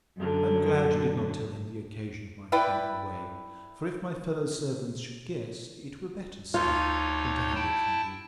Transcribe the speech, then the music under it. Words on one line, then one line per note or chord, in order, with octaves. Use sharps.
I am glad you did not tell him the occasion of my coming away; for if my fellow-servants should guess, it were better so, than to have it from you or me.
F#2 D3
E4 B4 D5 G5
D2 D#4 F4 C#5
E4 G5 A5